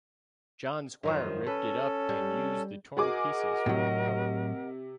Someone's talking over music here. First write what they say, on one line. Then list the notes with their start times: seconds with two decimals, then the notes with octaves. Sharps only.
John Squire ripped it up and used the torn pieces for the cover.
1.03 F#2 D#3 F3
1.47 C#4 A4 B4
2.09 G3
2.97 F#4 G#4 A#4 D#5 F#5 D6
3.66 A2 C3 F#3